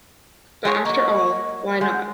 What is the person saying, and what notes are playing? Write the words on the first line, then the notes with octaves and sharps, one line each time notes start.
But after all — why not?
G#3 G#4 C#5
F#3 A#3 D#5 C#6
G#3 F#5 G6